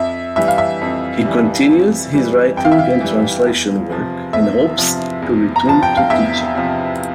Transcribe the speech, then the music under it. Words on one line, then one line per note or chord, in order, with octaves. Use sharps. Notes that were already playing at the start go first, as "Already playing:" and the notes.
He continues his writing and translation work and hopes to return to teaching.
Already playing: F2 E5
E3 G3 E5
F5
E5
F2
E3 G3
F2
E3 G3
F2 G5
F5
E5
F5
E3 G3
E2
C3 F3
E2 E5
C3 F3
E2
A#5
C3 F3 A5
G5
F5
E2 E5
C3 F3